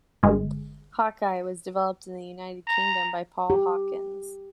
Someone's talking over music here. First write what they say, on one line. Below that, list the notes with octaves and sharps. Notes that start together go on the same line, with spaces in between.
Hawk-Eye was developed in the United Kingdom by Paul Hawkins.
G1 G#3
A#5
G4